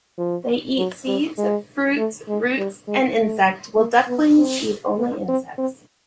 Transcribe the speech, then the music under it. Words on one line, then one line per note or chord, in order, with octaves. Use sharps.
They eat seeds, fruits, roots and insect, while ducklings eat only insects.
F3
F#3
G3
G#3
A3
G#3
G3
G#3
A3
A#3
B3
C4
B3
C4
C4